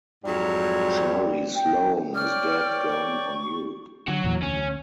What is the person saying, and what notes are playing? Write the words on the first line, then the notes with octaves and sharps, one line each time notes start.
Charlie Sloane is dead gone on you.
F2 G#2 F#3 G3
G5
C#5 D5 G5 F6
C#6
D3 F#3 F#4
E2 A#2 E3
D2 C#4